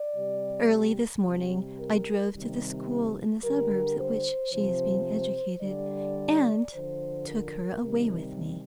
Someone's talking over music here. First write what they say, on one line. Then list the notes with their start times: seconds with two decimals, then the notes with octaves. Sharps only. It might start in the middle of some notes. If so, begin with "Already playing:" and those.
Early this morning I drove to the school in the suburbs at which she is being educated, and took her away with me.
Already playing: D5
0.15 C3 G3
1.24 C3 G3
1.79 A#4
2.34 C3 D#3 G3
3.43 D3 G3 A#4
3.98 C5
4.53 C3 F3 C5
5.62 D3 G3 D5
6.72 D3 F3 C5
7.27 A#4
7.82 C3 D#3 G3